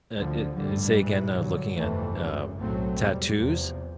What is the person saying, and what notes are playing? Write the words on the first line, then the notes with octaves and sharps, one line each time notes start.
Eh eh, uh, say again, uh, looking at, um, tattoos?
D2 D3 F3
A1 G2 D3 G3
A#1 G#2 E3
G2 D3 F#3
G1 F2 C3 E3 A3
G#1 F#2 C#3
B1 A2 F#3 A3 C4
E2 B2 G3
E2 C3 F3